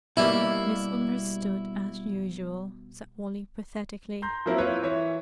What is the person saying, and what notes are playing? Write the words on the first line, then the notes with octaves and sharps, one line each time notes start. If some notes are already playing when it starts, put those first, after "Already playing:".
"Misunderstood as usual," said Wally pathetically.
B2 G3 A#3 E4
A#5 C6 G6
F3 F#3 A#3 C4 E4 A#4
E4 F4 B4 C#5
E3 C#5 E5